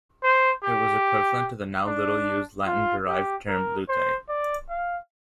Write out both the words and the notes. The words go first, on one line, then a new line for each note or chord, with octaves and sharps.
It was equivalent to the now little-used Latin-derived term lutite.
C5
G4
D4
F4
G4
A#4
C5
D5
F5